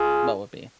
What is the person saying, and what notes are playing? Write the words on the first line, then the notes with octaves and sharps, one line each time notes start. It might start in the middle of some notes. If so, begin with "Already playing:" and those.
What would be?
Already playing: F4 G#4